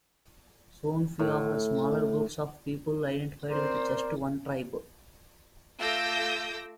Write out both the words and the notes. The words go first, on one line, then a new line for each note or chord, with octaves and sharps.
Soon few of the smaller groups of people identified with just one tribe.
A2
C4 A#4 C5 D5
A3 F4 D6 E6 G6 A#6